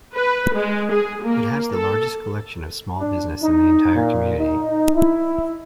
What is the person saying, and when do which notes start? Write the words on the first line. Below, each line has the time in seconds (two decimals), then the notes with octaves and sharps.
It has the largest collection of small business in the entire community.
0.15 B4
0.55 G#3
0.92 G#4
1.23 A#3
1.73 A4
2.98 D4
3.42 D#4
3.93 A#2
4.39 D#4
4.95 E4